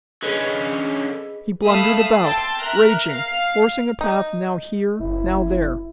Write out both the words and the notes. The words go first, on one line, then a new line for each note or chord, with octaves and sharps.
He blundered about, raging, forcing a path now here, now there.
D3 C#4 G#4 B4 D#5
A3 E5 F5 B5 D#6 E6
G5 A5 C6 E6 A6
A#4 E5 A#5 F6 F#6
F5 F6
D#4
F#1 E4